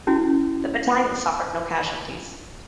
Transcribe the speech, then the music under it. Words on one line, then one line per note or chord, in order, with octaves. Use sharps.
The battalion suffered no casualties.
C#4 E4 F#4